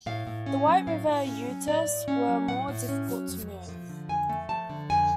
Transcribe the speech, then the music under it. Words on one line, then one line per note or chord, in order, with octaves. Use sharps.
The White River Utes were more difficult to move.
A2 F5
A2
C#4
F#3
A2 F5
A2
C#4
F#3
A2 D5
A2
C#4
F#3
A2 F#5
A2
C#4
F#3
F2
A3
F3
D3
F2 G#5
A3
F3 A5
D3
F2 G#5